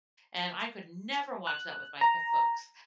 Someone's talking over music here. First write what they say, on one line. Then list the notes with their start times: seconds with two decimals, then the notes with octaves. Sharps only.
and I could never watch that with my p folks.
1.47 F#6
2.01 A#5